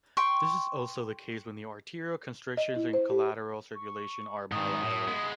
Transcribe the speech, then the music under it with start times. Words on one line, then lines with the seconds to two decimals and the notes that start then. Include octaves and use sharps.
This is also the case when the arterial constriction and collateral circulation are bilateral.
0.17 G5 C6 C#6
2.57 D#5
2.76 E4
2.93 C5
3.10 G4
3.75 C#6
4.52 G#2 D#3 D#6
4.82 A2
5.07 G#3 B3